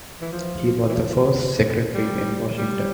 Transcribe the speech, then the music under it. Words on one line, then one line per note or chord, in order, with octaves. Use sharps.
He was the first secretary in Washington.
E3
F3
E3
F3
G3
G3